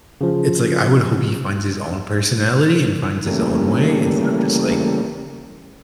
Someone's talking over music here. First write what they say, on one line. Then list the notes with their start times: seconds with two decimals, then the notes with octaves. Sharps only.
it's, like, I would hope he finds his own personality and finds his own way instead of just, like,
0.21 C#3 F3
3.26 C#3 E3 G3 A3 A#3